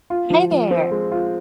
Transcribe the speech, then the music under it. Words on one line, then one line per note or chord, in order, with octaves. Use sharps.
Hey there.
F4
F3
F3
C4
G#3
F4